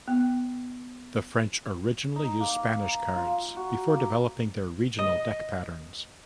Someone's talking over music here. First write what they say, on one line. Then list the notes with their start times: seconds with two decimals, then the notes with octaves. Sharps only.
The French originally used Spanish cards before developing their regional deck patterns.
0.08 B3
2.16 D#4
2.40 A#3
3.16 F4
3.57 F#4
3.88 A#3
4.99 D#5